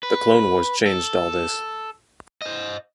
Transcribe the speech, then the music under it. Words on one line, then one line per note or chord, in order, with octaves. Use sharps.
The Clone Wars changed all this.
B4
A4
C5 D#5